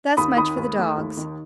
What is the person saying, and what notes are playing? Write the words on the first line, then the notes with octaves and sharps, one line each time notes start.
Thus much for the dogs.
D#2 B5 D#6
D#3 B5 D#6
D#2
A3
D#2
D#3